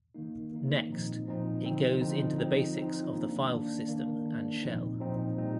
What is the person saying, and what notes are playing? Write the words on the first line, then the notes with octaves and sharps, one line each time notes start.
Next, it goes into the basics of the file system and shell.
D#3 A#3 D#4
D#3 A#3 D#4
A#2 F3 C4 D#4
A#2 F3 C4 D#4
D3 F3 C4 D#4
D3 F3 C4 D#4
F3 C4 D#4
F3 C4 D#4
D#3 A#3 D4
D#3 A#3 D4
D#3 A#3 D4
D#3 A#3 D4
A#2 F3 C4 D#4
A#2 F3 C4 D#4
A#2 G3 C4 D#4